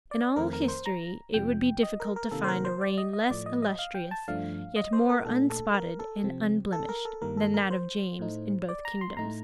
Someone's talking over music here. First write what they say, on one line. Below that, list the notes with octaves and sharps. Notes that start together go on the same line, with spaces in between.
In all history, it would be difficult to find a reign less illustrious, yet more unspotted and unblemished, than that of James in both kingdoms.
D5
F2 D#3 A3 C4 A#4
A#4
C5
A#5
F2 C3 F3 G5
D#5
A#4
A#4
C3 D#3 A#3 A4
C5
A#4
C5
D5
D#5
D#5
A2 F3 A3 D5
D#5
D#5
F5
G5
A5
G2 F3 A3 D4 F5
D#5
C5
A#4
A#2 A3 D4 A4
A4
A#4
A4
C3 F3 C4
A4
A#4
A4
G2 D#3 G3 A#3 A#4
A4
A#4
C5
A2 A3 D#4
D5
A#5
C6
A2 A3 D#4 A#5